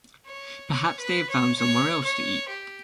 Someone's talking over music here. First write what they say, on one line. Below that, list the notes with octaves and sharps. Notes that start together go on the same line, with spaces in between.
Perhaps they have found somewhere else to eat?
C#5
C#5
B4
C#5
C#5
C#5
G4